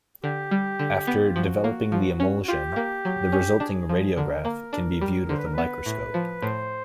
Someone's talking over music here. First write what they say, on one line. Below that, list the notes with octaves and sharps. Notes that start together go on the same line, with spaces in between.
After developing the emulsion, the resulting radiograph can be viewed with a microscope.
D3 G4
G3
D3
B3
F4
F3 F#4
A#3
F3
C#4
F#4
F4 G4
A#3
F#3
C#4
D4 G#4
F3
D3 A#4
A#3
D4
G3
D3 C5
B4
A#4
B4
B3
A2
F3
A2 C5